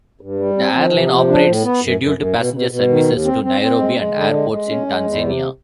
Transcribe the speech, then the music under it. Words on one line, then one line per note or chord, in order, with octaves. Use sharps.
The airline operates scheduled passenger services to Nairobi and airports in Tanzania.
G2
G3
C4
F3
C3
F3
D4
A2
B3
F#2
F#2
F#2
B2
B2
B2
D#3
D#2
C4
C4
C4
G#3
G#3
D3
G#3
G#3
C#4
G#3
E2
C3